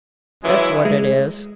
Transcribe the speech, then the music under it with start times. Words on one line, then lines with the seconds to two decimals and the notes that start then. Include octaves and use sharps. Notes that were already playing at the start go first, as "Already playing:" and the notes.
That's what it is.'
0.43 F#2 C#3 E3 G#3 E4
0.85 G#3